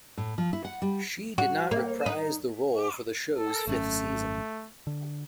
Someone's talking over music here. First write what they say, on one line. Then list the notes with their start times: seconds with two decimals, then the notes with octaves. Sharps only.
She did not reprise the role for the show's fifth season.
0.17 A2
0.38 F3
0.53 E4
0.65 F#5
0.82 G3
1.38 F#4
1.71 A#3
2.06 D#4
3.37 A4
3.67 G#1 F#2 A3 C#4
4.87 D3